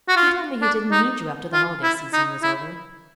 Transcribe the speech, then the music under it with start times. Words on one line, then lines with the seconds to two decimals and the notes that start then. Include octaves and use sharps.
He told me he didn't need you after the holiday season was over.
0.08 F#4
0.16 F4
0.62 D4
0.92 D#4
1.53 F4
1.83 E4
2.13 D#4
2.43 E4